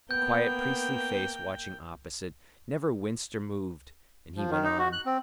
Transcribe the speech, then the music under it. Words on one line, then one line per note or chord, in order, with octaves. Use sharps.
The quiet, priestly face watching opposite never winced or moved; and he went on.
A#3 B3 G5 G6
F3
D#3
D#4
F#4
F#6
C4